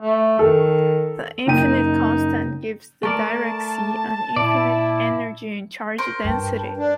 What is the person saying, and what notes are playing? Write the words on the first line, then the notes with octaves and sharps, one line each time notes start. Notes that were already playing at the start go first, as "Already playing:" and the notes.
The infinite constant gives the Dirac sea an infinite energy and charge density.
A3
D#3 A4
F#1 D#4 G5 D#7
A3 A#4 D5 A5
A#2 E4 D5
A#4 C5 C#6
G2 B4 G5 A5
D4